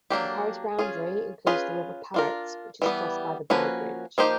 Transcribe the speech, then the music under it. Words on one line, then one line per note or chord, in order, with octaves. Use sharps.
The parish boundary includes the River Parrett which is crossed by the Bow Bridge.
F#3 A#3 D4 G4
C#4 F4 G#4
C#4 F4 G#4 B4
D4 F4 A#4
E3 G3 B3
F3 A#3 C#4 F#4 B4
F3 A#3 D#4 G4 C5